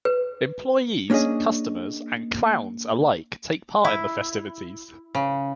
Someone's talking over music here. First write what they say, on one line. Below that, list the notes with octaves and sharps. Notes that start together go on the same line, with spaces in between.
Employees, customers and clowns alike take part in the festivities.
B4
A#3 C#4 D4 G#4 D#5
E4
C#3